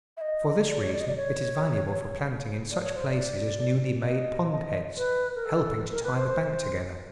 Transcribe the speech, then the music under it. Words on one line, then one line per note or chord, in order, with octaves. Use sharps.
For this reason it is valuable for planting in such places as newly-made pond-heads, helping to tie the bank together.
E5
D#5
D5
C#5
D5
D#5
D5
C#5
D5
C#5
C5
D5
D#5
D#5
B4
A#4
A4
A#4
B4
C5
C5